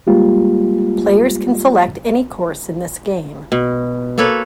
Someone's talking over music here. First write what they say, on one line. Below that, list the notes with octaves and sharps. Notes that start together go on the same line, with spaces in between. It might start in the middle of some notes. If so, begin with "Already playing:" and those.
Players can select any course in this game.
G3 G#3 A#3 F4 G4
B2
A#3 A4 B4 C#5